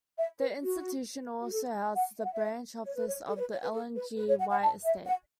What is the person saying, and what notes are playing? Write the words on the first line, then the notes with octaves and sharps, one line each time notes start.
The institution also houses a branch office of the Ellen G. White Estate.
E5
B4
F#4
F#4
A4
F#5
E5
F#5
E5
C#5
B4
C#5
A4
C#5
B4
C#5
B4
A4
B4
B4
C#5
F#5
F#5
A5
E5
F#5